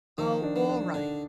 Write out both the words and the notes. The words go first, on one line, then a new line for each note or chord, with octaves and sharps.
Oh, all right.
D#3 F3
D4
F3
D4
D3 D4